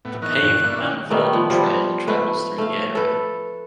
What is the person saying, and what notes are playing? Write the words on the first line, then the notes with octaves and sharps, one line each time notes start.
The paved Mount Vernon Trail travels through the area.
A2 B3
E3 D#4 A#4 C#6 F#6
G2 A#2
A#3 D4 E4
D#3 C#4 G5
D#3 G3 A3 B3
F3 B3
F3 G3 F4
A3 B4
A3 F5
A4 B4